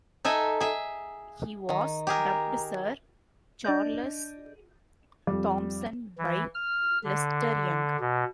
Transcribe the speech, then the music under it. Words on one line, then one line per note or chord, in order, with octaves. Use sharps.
He was dubbed Sir Charles Thompson by Lester Young.
D#4 A4 E5 G#5
G#4 E5
D#3
G4 G#4 A#4
D4 D5 D#5 G6
F2 G3
E3
F6
D3
B2